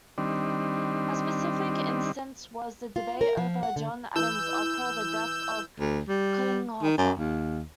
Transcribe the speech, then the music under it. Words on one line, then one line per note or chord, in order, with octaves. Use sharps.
A specific instance was the debate over John Adams's opera "The Death of Klinghoffer".
D#3 G3 C4 D4
F4
A#4
F3
F#5
D3
E3 E6 G6
D2
G3
D#3
F#2
D#2